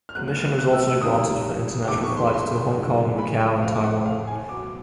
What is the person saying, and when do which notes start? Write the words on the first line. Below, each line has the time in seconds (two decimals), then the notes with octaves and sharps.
Permission was also granted for international flights to Hong Kong, Macau and Taiwan.
0.09 F6
0.15 D2 C#3 F#3 B3 F#6
0.28 F#6
0.37 F6
0.59 F#6
0.73 E6
0.88 E6
1.02 F2 C3 D#3 G3 A#3 D#6
1.88 F2 C3 D#3 G#3 B3 D6
2.04 C#6
2.17 C6
2.26 B5
2.34 C6
2.75 F#2 D#3 G#3 B3
3.18 B5
3.40 G5
3.62 F2 C#3 F3 A3 F5
3.84 F#5
4.06 F5
4.27 G#5
4.49 B2 F#3 B3 D6